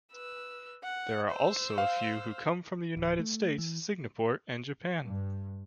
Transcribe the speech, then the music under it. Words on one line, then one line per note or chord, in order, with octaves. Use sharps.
There are also a few who come from the United States, Singapore, and Japan.
B4 E6
F#5
C5 E6
F5
D1
A3
E3
G2